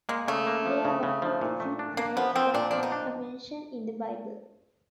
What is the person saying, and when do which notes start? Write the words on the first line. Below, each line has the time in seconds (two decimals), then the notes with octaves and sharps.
They are one of the few trades that have a mention in the Bible.
0.09 G#3 A#3
0.28 C#3 A3
0.47 A#3
0.66 F3
0.85 C#3
1.03 C#3
1.22 F3
1.41 A#2
1.60 A3
1.79 D4
1.97 A#3 D4
2.16 F3 B3
2.35 F3 C4
2.54 A#2 D4
2.71 F3 D4
2.83 D#4
2.92 D4